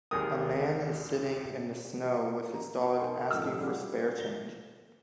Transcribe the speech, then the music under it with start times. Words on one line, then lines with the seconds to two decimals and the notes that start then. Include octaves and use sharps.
A man is sitting in the snow with his dog asking for spare change.
0.11 G#1 D#2 G#4 A#4 D#6
2.53 A#5
2.97 D#4 A#4 G5 G#5 C6
3.31 A1 F3 A3 D#4 E6
3.59 G3 C#4 D4 F4 F#4 G#4
4.19 A#6 G7